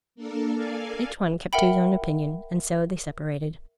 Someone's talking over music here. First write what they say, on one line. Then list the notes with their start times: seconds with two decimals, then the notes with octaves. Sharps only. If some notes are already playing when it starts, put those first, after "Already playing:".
Each one kept to his own opinion, and so they separated.
0.15 A#3 D4 A4 A#4
0.56 A4 A#4 D5 F5 G#5
1.53 A#4 E5 F#5 G5 B5